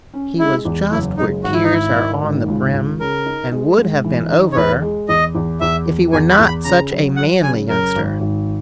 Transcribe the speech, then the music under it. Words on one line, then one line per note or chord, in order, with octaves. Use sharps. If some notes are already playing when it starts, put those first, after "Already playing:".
"He was just where tears are on the brim, and would have been over, if he were not such a manly youngster."
C#4
G#3 E4
E2
F#1 E4
G#3 D#4
G#1 F#4
E4
D#4
G#1 E4
D#3
G#1
C#2
C#2
C#3 A#4
D#4
G#3
G#2
E3
D#4
C#5
E2 B4
G#3
E2 D#5
E2
E2 E5
E2
E2 G#5
B5
E2
B5
C#3 A#5
F#3
F#3 F#5
C#3 G#5
F#2 A#4
G#1
G#1